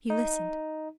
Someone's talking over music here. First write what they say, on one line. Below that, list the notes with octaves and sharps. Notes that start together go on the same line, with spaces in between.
He listened.
D#4